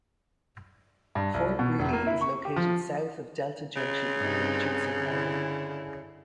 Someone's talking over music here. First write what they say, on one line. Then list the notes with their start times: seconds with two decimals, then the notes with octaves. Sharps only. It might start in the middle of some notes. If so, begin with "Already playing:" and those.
Fort Greely is located south of Delta Junction on the Richardson Highway.
1.15 G2
1.34 C2
1.59 B2
1.79 F1
1.93 A#3
2.07 E4
2.21 C#6
2.45 G4
2.56 F3
3.76 C#3
4.18 G2 C4 D#4
4.99 D3 E4